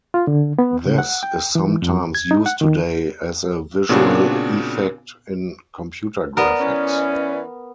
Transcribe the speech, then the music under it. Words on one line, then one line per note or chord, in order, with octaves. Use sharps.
This is sometimes used today as a visual effect in computer graphics.
F4
D3
B3
C#3
F#5
G5
E3
F2
G#6
D#4
F#5
D#3
A#2 C#3 B3 C4 D4 F#4
B3 A#4 D5
E3 C#4